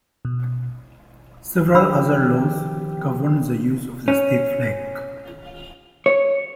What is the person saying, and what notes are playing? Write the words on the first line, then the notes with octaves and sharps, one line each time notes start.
Several other laws govern the use of the state flag.
B2
D#3 F3 D4 G4 B5 E6
C#4
C#5